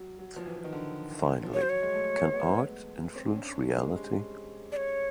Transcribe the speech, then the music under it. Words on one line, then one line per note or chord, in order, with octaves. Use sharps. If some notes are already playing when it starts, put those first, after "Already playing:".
Finally, can art influence reality?
Already playing: F#3
F#3
F3
E3
E3
D#3
D3
F3
F#3 C#5
C5
C#5
G#3
A3
B3
B3
C4
D4
C#4
D4
G3
G#3
G#3
D5
C#5